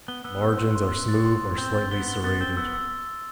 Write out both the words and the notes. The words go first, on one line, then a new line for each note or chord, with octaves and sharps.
Margins are smooth or slightly serrated.
B3 G7
B3 E6
E6
C6
C6
C6
A6
C6
C6
C4 G7
A6
B3 G7
G7
B3 A6
C4 G7
B3 E6
E6